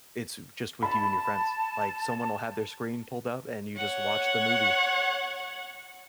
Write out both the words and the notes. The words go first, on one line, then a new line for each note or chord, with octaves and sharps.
it's just with you and your friends, like, someone will have their screen pulled up, and you just watch the movie,
A5 B5
C#5 F#5